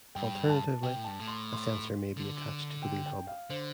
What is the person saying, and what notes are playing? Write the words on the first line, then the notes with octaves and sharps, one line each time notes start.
Alternatively, a sensor may be attached to the wheel hub.
G2 G5
A5
C3 G5
A2
G2 A5
A2
C6
C6
D3
G5
G5
F5
D3 C5